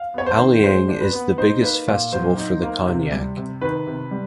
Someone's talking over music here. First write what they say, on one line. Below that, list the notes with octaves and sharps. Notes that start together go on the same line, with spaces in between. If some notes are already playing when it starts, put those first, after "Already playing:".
Aoleang is the biggest festival for the Konyak.
Already playing: F5
B3 C#5
C5
D#3
G#3 C5
D4
B4
B3
D#4 C5
A#3 B4
A#2
F#3 C5
D#4
A#3
C3
G3
C3
D#3 B4
C3
G3